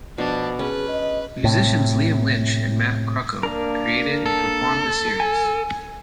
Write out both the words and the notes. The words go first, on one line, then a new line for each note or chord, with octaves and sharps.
Musicians Liam Lynch and Matt Crocco created and performed the series.
B2 F3 D4
C#4 G#4 B4
D#5
A2 C3
A#3 D4 A#4
A4
G#5